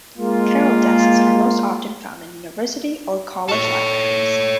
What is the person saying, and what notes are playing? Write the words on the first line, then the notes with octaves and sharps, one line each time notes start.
Carrel desks are most often found in university or college libraries.
G#3 A#3 F4
A4 C#5